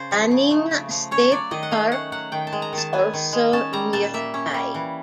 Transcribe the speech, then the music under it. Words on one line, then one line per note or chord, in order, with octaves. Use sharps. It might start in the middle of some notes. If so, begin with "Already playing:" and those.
Banning State Park is also nearby.
Already playing: C#3 C5
F3
C#3
A3
C#3
F3
C#4 C#5
F#3 D5
D#3 D#5
F#5
A3 F5
C#4 F#5
F#3 F#5
D#3 G5
A5
G#3
A#5
D#3 A5
B3 G#5
D#3
G#3
C#4 A5
G3 A#5
A#2 A5
A#3 E5
C#4
G3
E3